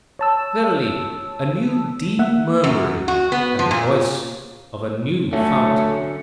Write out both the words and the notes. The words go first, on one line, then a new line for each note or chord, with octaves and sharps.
Verily, a new deep murmuring, and the voice of a new fountain!
C#5 A5 E6
A#3 E5 F#5
F#2
F#4
B3
F3
A#2
D3 F#3 A3 C#4